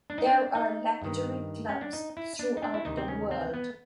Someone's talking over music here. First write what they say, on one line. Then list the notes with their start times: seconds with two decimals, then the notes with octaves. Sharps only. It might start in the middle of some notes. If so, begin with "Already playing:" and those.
There are lapidary clubs throughout the world.
0.10 D4
0.18 D#4
0.26 D4
0.55 D#4
1.02 G2 D#3
1.69 C#4
1.81 D4
1.93 D#4
2.17 E4
2.39 D4
2.57 D#4
2.63 D4
2.74 E4
2.85 D2 C3 D#3 D#4
2.97 C4
3.08 C#4
3.31 C4
3.54 B3